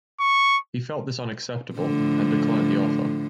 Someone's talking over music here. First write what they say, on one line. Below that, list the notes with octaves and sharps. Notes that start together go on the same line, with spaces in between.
He felt this unacceptable and declined the offer.
C#6
A2 D3 F3